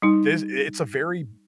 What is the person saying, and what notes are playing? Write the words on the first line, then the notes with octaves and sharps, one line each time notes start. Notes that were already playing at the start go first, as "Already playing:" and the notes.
this it's a very
G3 D#4